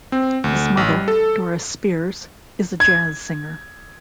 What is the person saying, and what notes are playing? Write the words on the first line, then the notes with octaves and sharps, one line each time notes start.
His mother, Doris Spears, is a jazz singer.
C4
D2
A1
G3
A4
G#6